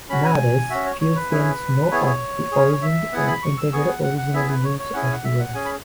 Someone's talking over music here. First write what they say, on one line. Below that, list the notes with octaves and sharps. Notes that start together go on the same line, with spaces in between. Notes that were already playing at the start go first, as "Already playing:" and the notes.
Nowadays few Finns know of the origins and intended original use of the words.
C#4 F#4 B5
G#5
C#4 F#4 E5
C#5
C#5
B4
C#4 E4 G#4
B3 E4 G#4 C#5
C#5
C#4 G#4
E5
B3 E4 G#4 F#5
B5
C#6
E6
B3 G#4 C#6
F#5
F#5
F#5
B3 E4 G#4 E5
B4
C#5
C#5
C#4 E4 G#4 F#5
G#5
F#5
E5
F#5
C#4 G#4 G#5
B5